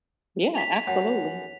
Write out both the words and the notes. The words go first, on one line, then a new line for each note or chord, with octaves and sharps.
Yeah, absolutely.
B6 F7
F#2